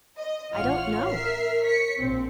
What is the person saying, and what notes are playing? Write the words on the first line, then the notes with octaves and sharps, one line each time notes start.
"I don't know."
D#5
A1 F4 C#5 F#5 F6
A#4 E5 F6 C7
C#5 B6 C#7
A#1 C4